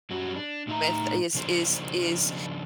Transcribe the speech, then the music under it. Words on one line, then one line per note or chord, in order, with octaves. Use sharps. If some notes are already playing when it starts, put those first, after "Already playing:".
with is is is
F#2 G3 C#4 F#4
D4
A2 D#4 E4 E5 A#5
C#3 F3 D4 A#4 C5